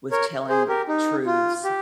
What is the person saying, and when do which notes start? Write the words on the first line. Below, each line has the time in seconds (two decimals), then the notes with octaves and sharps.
with telling truths.
0.11 A#4 C#5
0.49 G#4 C5
0.68 G4 A#4
0.89 D#4
1.26 F4
1.64 G4